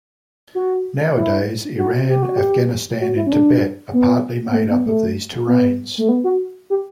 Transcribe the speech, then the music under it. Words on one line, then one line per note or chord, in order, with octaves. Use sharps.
Nowadays, Iran, Afghanistan and Tibet are partly made up of these terranes.
F#4
E4
F#4
G4
F#4
G4
F#4
E4
C#4
D4
B3
B3
A3
B3
A3
B3
A3
B3
F#4
G4